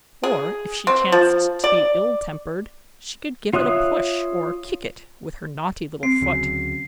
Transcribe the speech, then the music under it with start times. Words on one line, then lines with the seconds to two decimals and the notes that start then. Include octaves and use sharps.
Or, if she chanced to be ill-tempered, she could give it a push, or kick it with her naughty little foot.
0.23 G#4
0.87 C4
1.12 F3
1.64 D5
3.53 F4 C#5 E5 D#6 F#6
6.03 C4 C7
6.21 D2 C#3 F#3